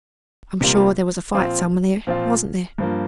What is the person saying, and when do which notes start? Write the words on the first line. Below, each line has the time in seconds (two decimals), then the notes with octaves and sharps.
I'm sure there was a fight somewhere, wasn't there?'
0.61 C3 G3 A#3 F4
1.34 A#2 F3 C4 F4
2.07 A#2 F3 C4 F4
2.78 G2 F3 A#3